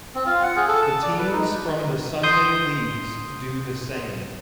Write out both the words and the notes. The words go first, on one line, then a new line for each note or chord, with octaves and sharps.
The teams from the Sunday leagues do the same.
C4
F4
F#5
G#4
A4
A5
D5
B4
D#4
C6 D#6 G6